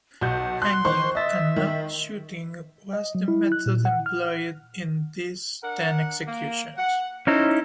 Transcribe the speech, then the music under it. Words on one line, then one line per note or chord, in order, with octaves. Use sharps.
Hanging and not shooting was the method employed in these ten executions.
B1 F#5 G6
C6 F#6
D#3 C5 C#6
D#5 E5 A6
D#3
D#5
F#3
E4
F#6
A#2
F#5
F6
D4 A#4 F#5
A#3
F#5
C#4 D#4 E4 A4 C5